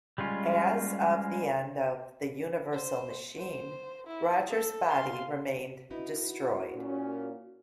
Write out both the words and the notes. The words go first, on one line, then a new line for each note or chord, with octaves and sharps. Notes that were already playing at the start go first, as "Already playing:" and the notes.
As of the end of "The Universal Machine", Roger's body remained destroyed.
G3 G#3 C#4 F4
C5
C5
E4
A4
F5 C6
B3 D#4 E4 F#4
A#2 C#4